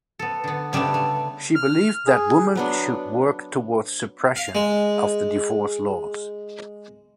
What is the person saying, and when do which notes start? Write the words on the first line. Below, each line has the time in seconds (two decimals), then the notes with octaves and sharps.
She believed that woman should work towards suppression of the divorce laws.
0.19 B3 A4
0.44 D3 B3
0.73 C#3 G3 A3 B3 D4
0.94 A3
1.55 F6
2.06 G#4
2.55 F#3 B3 D4
4.36 F5
4.55 G#3